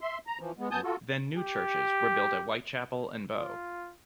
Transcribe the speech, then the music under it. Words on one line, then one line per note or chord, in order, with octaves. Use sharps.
Then new churches were built at Whitechapel and Bow.
E5 C6
A#5
E3 F3
G#3 B3
F#2 B3 G#5 A5 D#6 G6
F4 F#4 A4
G4
F4